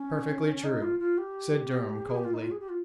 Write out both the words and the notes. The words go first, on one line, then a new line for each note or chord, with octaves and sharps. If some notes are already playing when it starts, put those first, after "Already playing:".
"Perfectly true," said Durham, coldly.
Already playing: C#4
D#4
F4
F4
G4
G#4
G4
F4
D#4
F4
G#4
G4
F4